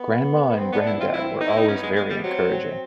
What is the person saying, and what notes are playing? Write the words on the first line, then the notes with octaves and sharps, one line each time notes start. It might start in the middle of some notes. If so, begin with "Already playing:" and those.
Grandma and grandad were always very encouraging.
Already playing: B3
B3
C4
B3 D4
E4
C4 F4
C4 E4
B3 D#4
E4
D#4
B3 C#4
G#3
G#3
G3
F#3 C4
C4